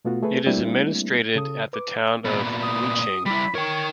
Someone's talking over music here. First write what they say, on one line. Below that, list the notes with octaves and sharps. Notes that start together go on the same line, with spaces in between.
It is administrated at the town of Lucheng.
B2 A3 B3 F4 F#4
A3 G#4 A4 B4
G3 A3 A#3 C4 D4 E4
C#3 A4 D#6
B4 D6
A#2 B3
D#6
G3 E4 B5
A#4 C#5 G5